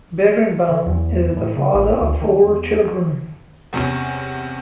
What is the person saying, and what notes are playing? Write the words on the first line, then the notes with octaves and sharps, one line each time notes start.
Berenbaum is the father of four children.
D3
E2
A2
C#3
A1
D2
D#3
E2
E2 C3 C#4